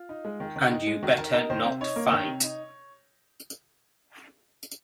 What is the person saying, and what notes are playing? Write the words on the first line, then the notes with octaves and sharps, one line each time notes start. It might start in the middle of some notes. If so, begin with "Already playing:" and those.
And you better not fight.
Already playing: F4
D#4
G#3
D#3
D#3
D#4
G#3
D#3 F#4
D#3 A#4
D#4 A#4
D#3 C5
C3
D#4 C#5
A#3
D#3
C3
D#4